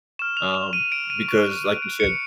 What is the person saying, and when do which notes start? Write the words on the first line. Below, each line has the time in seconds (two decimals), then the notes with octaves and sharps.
um, because like you said
0.19 C#6 F6 E7
0.37 F7
0.55 E7
0.73 D#7
0.92 D7
1.10 D#7
1.28 C#6 F#6
1.82 D7
2.00 C#7